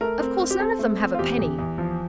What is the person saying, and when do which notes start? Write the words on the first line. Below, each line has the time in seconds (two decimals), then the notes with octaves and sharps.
Of course none of them have a penny.
0.01 A3 A#4
0.20 C4
0.40 C4
0.51 G4
0.59 C4 A4
0.79 A3
0.99 C4
1.14 F4
1.19 E2 G4
1.39 E2
1.59 E2
1.78 F3